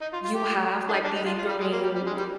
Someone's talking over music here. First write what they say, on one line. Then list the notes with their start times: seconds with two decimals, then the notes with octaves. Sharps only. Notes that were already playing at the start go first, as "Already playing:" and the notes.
you have like lingering,
0.01 D#4
0.13 F4
0.25 F4
0.35 G4
0.89 D4
0.92 D#4
1.04 D4
1.16 D#4
1.26 F4
1.38 F4
1.49 G3
1.60 G#3
1.73 A#3
1.83 G3
1.95 G3
2.06 G#3
2.18 G3